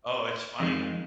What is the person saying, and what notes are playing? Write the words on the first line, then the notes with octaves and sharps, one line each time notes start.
Oh, it's funnier.
F2 D#3 G#3